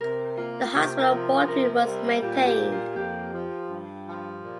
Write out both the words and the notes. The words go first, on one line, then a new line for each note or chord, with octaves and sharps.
The hospital boardroom was maintained.
C3 A#4
A#3 F4
F4
C3 G4
A#4
F3
C3 A#4
G3
A#2 G4
G4
A#3
F4
F2 G4
F3
G2
F3
A#2